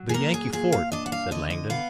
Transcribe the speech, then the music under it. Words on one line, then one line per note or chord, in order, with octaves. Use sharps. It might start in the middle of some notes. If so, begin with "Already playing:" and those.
"The Yankee fort," said Langdon.
Already playing: F#3
G#4
A#2 A#4
G#4
A#2 G#4
F5
D4 D#5
F#5
F5
D3 D#5
D#5
B3 F5